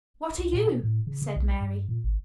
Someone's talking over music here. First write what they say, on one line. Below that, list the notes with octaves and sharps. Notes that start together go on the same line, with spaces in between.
"What are you?" said Mary.
C#2
A#2
B2
A2
C#3
C#3
B1
G2
A#2
G#1